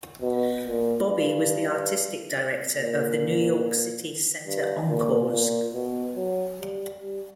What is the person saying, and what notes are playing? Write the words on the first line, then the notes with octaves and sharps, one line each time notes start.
Bobbie was the artistic director of the New York City Center Encores!
B2
A#2
G2
A#2
G2
A#2
A#2
B2
F#3
G3
G3